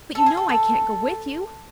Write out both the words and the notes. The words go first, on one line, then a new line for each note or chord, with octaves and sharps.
But, you know I can't go with you.
A4
G#4
A4
A4